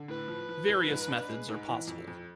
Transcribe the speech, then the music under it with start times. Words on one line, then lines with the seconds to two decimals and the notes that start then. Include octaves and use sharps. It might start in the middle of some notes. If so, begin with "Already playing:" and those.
Various methods are possible.
Already playing: D3
0.08 A2 B4
0.28 F3
0.49 F3
0.69 F3
0.88 G#2
1.08 D4
1.29 G#3
1.48 G#2
1.68 E3
1.88 F2
2.08 F2